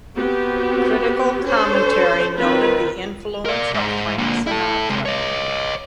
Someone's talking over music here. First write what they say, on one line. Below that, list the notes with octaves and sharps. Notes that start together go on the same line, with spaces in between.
Critical commentary noted the influence of Frank Sinatra.
B3 C4 F#4 G4
C#4 D4 A4 C5 C#5
D#3 C4 F4 B4
A#4 D5
G#2
A#2 D3
E4 A4
C3 G#3
C#5 D#5